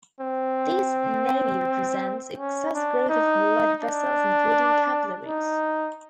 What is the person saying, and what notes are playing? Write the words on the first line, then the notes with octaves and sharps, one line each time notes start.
These nevi represent excess growth of blood vessels, including capillaries.
C4
C#4
D4
D#4
D4
D#4